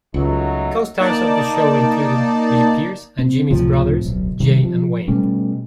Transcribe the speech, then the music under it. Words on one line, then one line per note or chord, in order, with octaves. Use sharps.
Co-stars of the show included Billy Pearce and Jimmy's brothers Jay and Wayne.
C#2 F#3 A3 D#4
A#3 D#4 D5 A5
C4
C#2 A2 C3 F3
D1 B1
C3 D#3 G3
F3
B2 G3 A3 C#4